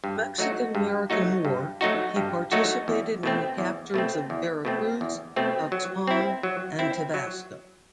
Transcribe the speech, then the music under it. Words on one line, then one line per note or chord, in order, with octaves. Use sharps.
In the Mexican-American War he participated in the captures of Veracruz, Tuxpan and Tabasco.
G2
F#3 A3 D#4 F#4
G2
F#3 A3 D#4 F#4
G2
F#3 A3 D#4 F#4
G2
F#3 A3 D#4 F#4
E2
B2 A3 C4
E2
B2 A3 C4
E2
B2 A3 C4
E2
B2 A3 C4
F#3
C4 E4
F#3
C4 E4
F#3